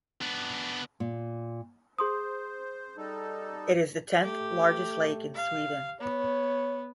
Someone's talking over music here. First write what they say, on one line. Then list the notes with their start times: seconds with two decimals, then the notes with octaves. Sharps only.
It is the tenth largest lake in Sweden.
0.21 B3 D4
1.00 A#2
1.99 G#4 C5 C6 D#6
2.97 G3 D#4 A4
4.23 A3 G4
5.35 F5
6.00 B3 C#5